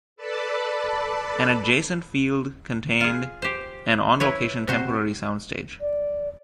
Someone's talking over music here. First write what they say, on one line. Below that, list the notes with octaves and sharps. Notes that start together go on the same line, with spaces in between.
An adjacent field contained an on-location temporary sound stage.
A4 B4 D5 A5 B5
F4 G#4
G4 C5
E4 B4 C#5
C3 F#4 C5
D5